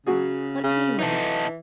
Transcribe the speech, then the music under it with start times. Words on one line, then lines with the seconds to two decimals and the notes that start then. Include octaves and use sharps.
Let me ring.'
0.06 C#3 F#3 F#4 G#4
0.64 C#3
0.99 E3 D#4 A4